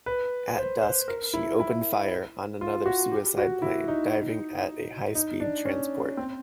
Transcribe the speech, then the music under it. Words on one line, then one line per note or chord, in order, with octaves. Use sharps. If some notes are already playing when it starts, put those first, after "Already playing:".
At dusk she opened fire on another suicide plane diving at a highspeed transport.
B4
C5
C5
A#4
E4
E4
F4
F#4
G4
F#4
E4
D#4
D#4
D4
C#4
C4